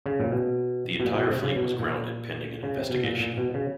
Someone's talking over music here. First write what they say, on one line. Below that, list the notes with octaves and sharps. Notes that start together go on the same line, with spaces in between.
The entire fleet was grounded pending an investigation.
C#3
A#2
B2
B2
A#2
B2
C3
C#3
B2
A#2
C#3
C3
B2
A#2
A#2
B2
C#3